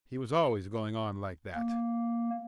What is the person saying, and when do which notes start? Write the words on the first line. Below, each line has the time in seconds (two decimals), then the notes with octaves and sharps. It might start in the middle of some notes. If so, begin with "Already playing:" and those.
He was always going on like that.
1.55 A#3